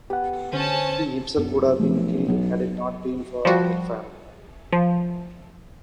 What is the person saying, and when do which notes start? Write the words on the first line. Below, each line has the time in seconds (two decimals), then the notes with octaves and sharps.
He himself would have been killed had it not been for Elfhelm.
0.10 B3 G4 F#5
0.53 D3 C#4 C5 A5
1.37 B1 F#2 B3
1.80 B1 F3 A3
2.28 E1 F#3 B3
3.45 F3 G3 F#4
4.73 F3